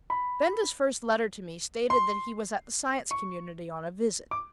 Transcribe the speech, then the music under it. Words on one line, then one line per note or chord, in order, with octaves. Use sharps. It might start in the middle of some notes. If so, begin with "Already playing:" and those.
Benda's first letter to me stated that he was at the Science Community on a visit.
B5
C6
C#6
D6